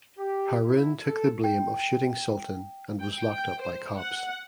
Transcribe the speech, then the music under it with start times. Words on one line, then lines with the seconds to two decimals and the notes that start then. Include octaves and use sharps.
Haroon took the blame of shooting Sultan and was locked up by cops.
0.19 G4
0.66 E4
1.02 A4
1.44 G5
3.01 G5
3.33 G5
3.63 C5
3.98 F#5